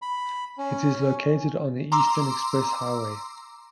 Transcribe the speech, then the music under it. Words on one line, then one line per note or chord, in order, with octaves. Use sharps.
It is located on the Eastern Express Highway.
B5
C#4
A#5 C6 D6 E6